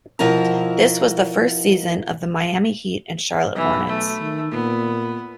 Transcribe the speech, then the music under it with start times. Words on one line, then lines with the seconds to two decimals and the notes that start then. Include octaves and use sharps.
This was the first season of the Miami Heat and Charlotte Hornets.
0.19 B2 F3 E4 A#4 A#5
3.56 B1 E3
3.88 A3
4.20 D#3
4.52 A#2 B3